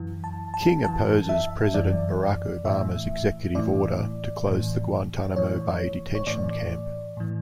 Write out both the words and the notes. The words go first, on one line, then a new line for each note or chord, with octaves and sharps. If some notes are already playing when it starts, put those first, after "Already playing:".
King opposes President Barack Obama's executive order to close the Guantanamo Bay detention camp.
Already playing: F#2 E3
A5
A5
F#2 E3 A5
E5
F#2 E3 D5
A2 E3 E5
A2 E3 D5
A2 E3
A2 E3 C#5
C#5
A2 E3 D5
A2 E3